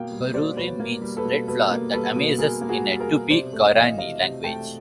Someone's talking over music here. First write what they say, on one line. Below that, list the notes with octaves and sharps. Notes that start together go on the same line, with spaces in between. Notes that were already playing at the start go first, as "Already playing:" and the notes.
"Barueri" means "Red flower that amazes" in a Tupi-Guarani language.
Already playing: B2 A#3 F5 G5
G3
B2 C5 D5
B2 B4 C#5
A#3
G3
A4 B4
B2
B2 A4 B4
A#3
G3 A4 B4
B2
B2 G#4 A#4
A#3
F#4 G#4
G3
G#4 A#4
B2
C3 C5 D5
A3
E3 D#5 F5
C3 D#5 F5
C3
A3 G5 A5